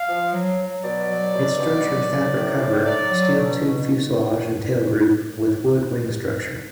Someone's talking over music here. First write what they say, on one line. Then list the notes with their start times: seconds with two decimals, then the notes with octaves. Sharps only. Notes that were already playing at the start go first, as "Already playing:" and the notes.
Its structure is fabric-covered, steel tube fuselage and tail group, with wood wing structure.
Already playing: F5
0.09 F3
0.33 F#3
0.59 F#3
0.83 B2 D5
1.09 F#3
1.34 B2
1.59 B2
1.84 F#3
2.10 F#3
2.35 A2
2.60 A2
2.85 F#3 D5
3.10 F#3
3.36 B2
3.60 B2